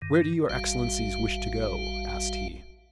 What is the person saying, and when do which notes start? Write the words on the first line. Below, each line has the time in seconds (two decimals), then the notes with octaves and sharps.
"Where do your excellencies wish to go?" asked he.
0.02 G2 D#3
0.50 A1 G3 F#4 F5